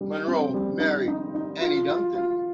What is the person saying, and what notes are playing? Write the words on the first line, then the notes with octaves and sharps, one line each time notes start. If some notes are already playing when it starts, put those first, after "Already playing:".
Monroe married Annie Duncan.
G3
C4
G3
D#4
D#4
D#4
F4
F4
F4